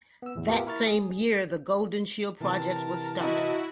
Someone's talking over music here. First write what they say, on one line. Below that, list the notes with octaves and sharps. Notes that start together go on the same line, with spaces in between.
That same year the "Golden Shield Project" was started.
B3 E6
E2 A2
A#3 B3 F4 G4 A#4 E5
E4 A#4 C#6 F6 A6
G#4
C3 E3 A#4 A5
E4 F#4 D#5